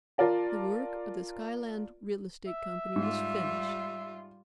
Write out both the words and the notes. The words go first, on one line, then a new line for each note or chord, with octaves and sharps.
The work of the Skyland Real Estate Company was finished.
F4 A#4 D5 A5
E5
G#2 G3 F4